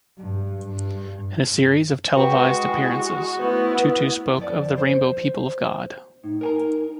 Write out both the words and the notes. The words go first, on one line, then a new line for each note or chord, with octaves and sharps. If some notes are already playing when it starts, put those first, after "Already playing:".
In a series of televised appearances, Tutu spoke of the "Rainbow People of God".
G2
G2
G#3 F#4 B4 G5
E4 G#4
A3 B3 E4 C5
F2 D5
C5
A2 D#4
A#4 G#5 A#5